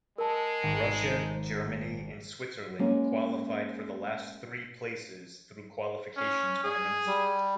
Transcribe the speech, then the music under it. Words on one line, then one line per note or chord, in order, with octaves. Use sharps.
Russia, Germany, and Switzerland qualified for the last three places through qualification tournaments.
G#3 A#4 A5
G#1
G#3 A#3 C#4
C#4
G#4
G3